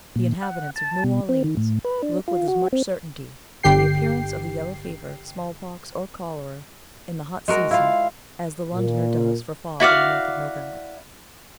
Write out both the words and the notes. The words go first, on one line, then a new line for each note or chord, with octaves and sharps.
The inhabitants of New Orleans look with as much certainty for the appearance of the yellow-fever, small-pox, or cholera, in the hot season, as the Londoner does for fog in the month of November.
A#2
F#5
A5
B2
C4
D#3
A2
B4
D4
F4
F#4
C4
G1 D3 G4 G5 C7
G#3 F#4 A#4
E4 F4 F5
A#2
E4 F#4 D5 F5